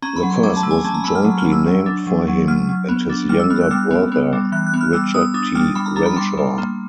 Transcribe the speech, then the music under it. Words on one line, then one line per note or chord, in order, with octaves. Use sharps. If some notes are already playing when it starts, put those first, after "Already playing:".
The first was jointly named for him and his younger brother, Richard T. Renshaw.
C#4 A#5
B5
F#3
C6
C#4 D6
A5
A3
G#5
C#4 A5
A#5
A3 B5
F6
F#3
F6
F#3
E6
F#3
D4
F#3
F#3
F#3 F6
F#3
B3
D4
G3 F6
E6
B3 F6
F#6
G3 F6
B3
B3
G3
E3 F#6
F#6
B3
F6
G3 E6
B3 D#6
D4 D#6
G3 F6
G3 B5
A#5
D4 A#5
B5
G3 C6
G3
A#3